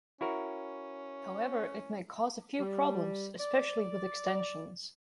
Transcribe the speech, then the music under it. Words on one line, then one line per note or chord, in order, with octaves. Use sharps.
However, it may cause a few problems, especially with extensions.
C#4 E4 F#4 A#4
G3
D5